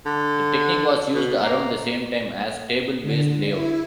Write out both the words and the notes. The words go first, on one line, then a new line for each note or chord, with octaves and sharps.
The technique was used around the same time as table-based layout.
D3
B2
A#3
D3
E4